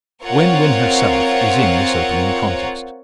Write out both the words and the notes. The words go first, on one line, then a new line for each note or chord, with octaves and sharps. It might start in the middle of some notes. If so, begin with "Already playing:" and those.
Gwen Wynn herself is in this opening contest.
C4 F4 A#4 C#5 F#5